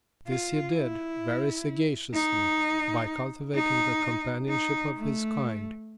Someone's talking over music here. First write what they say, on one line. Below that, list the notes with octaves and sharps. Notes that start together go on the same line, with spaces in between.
This he did, very sagaciously, by cultivating the companionship of his kind.
F4
E4
D#4
D#4
D#4
A3